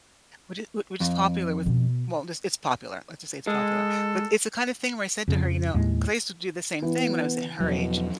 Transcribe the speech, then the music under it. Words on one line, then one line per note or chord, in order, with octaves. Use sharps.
which i which is popular with, well, this it's popular, let's just say it's popular. But it's the kind of thing where I said to her, you know ‘cause I used to do the same thing when I was at her age,
F2
B2 B3
G#3 A4
F2 C#3
D#2 A2 G#3
E3 B3
E2 B2 F3 F#3